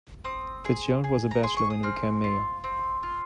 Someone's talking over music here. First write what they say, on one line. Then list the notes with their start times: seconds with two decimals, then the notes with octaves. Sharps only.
FitzGerald was a bachelor when he became mayor.
0.24 C4 D#6
0.65 G#4
1.04 G#4
1.31 A#5
1.43 G#4 C6
1.57 C#6
1.70 D#6
1.83 C4 F6
2.24 F4
2.64 C4
3.03 F4